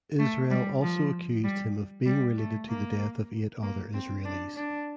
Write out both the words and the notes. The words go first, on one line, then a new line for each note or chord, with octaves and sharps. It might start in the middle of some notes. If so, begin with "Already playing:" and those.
Israel also accused him of being related to the death of eight other Israelis.
A3
G3
F3
G3
G3
A3
A#3
A#3
C4
D4
D4